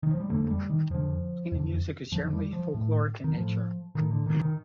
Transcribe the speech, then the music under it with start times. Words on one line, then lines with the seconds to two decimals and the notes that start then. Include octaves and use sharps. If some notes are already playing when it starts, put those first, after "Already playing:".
Plena music is generally folkloric in nature.
0.03 D#3
0.11 F3
0.20 G3
0.30 F2 D3 A3
0.44 A3
0.50 G3
0.70 D#3
0.90 F2 D3 F3
1.52 F2 D3
2.12 F2 D3 F3
2.33 G3
2.53 F3
2.74 A2
3.24 D#3
3.34 A2 F3
3.95 A2 D#3
4.11 D3
4.26 D#3
4.41 D#3